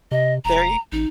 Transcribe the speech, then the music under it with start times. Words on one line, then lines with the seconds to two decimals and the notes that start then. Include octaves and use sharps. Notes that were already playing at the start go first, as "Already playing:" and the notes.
There you
0.12 C3 D#5
0.45 E1 A#5
0.92 A1 D#4